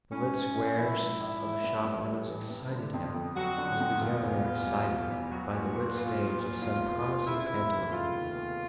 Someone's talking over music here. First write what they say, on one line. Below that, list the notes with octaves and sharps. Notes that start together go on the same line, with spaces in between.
The lit squares of the shop windows excited him as the young are excited by the lit stage of some promising pantomime.
G#2 C#4
A#1
A#1
F3 E4
G#2
A#1
E3
G2
G2
G3
E3
G2
D3
F2
F2
F#3 F#4
D3
F2
B2 F4
E2
B3
G3
B2
E2
F#3 F#4
A#2
A#2
B3 F4
F#3
A#2
E2 F4
F1
F1
C#3 E4
E2
F1
C#3 F4
D#2
B3